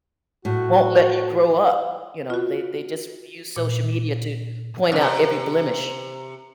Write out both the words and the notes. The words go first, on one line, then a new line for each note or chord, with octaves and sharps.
won't let you grow up, you know? They they just use social media to point out every blemish.
A2 F#4
F4 F#4
A#2
F#2 C3